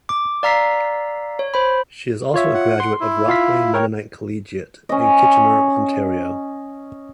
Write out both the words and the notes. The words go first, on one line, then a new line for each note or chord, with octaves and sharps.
She is also a graduate of Rockway Mennonite Collegiate in Kitchener, Ontario.
D6
D5 F5 A#5 E6 B6 C7
C#5
C5 B5
F4 C#5 E5
F#5
C6
E4
F4 F5 B6
A#4 C#5 G5
C#4 D#5